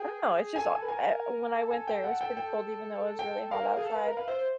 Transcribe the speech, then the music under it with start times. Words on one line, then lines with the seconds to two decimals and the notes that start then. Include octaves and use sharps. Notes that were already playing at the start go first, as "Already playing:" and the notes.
I don't know. It's just hot er when I went there it was pretty cold even though it was really hot outside.
Already playing: G#4 G5
0.56 A4 G#5
0.72 G#5
0.82 B4
0.88 A#4 G#5
1.55 A4
1.71 G#5
1.88 G5
2.04 F#5
2.20 A4 G5
2.37 G5
3.19 G5
3.51 A#4 F5
3.77 G#4
3.84 A4
3.95 B4
4.06 A#4
4.17 B4 F5
4.28 C5 E5
4.39 C5